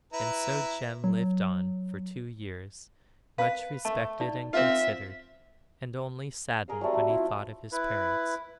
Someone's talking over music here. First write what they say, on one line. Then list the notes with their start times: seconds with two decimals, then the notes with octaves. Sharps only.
And so Jem lived on for two years, much respected and considered, and only saddened when he thought of his parents.
0.13 E4 B4 A#5
1.04 F#3
3.38 B4 F5
3.85 A3 A5
4.20 D#4 D5
4.53 C4 F4 E5
6.68 G#4 A#4 D#5 F5
6.81 F#3 G3 A3 C4
6.93 A3 F#4
7.09 E4 F4
7.72 E4 B4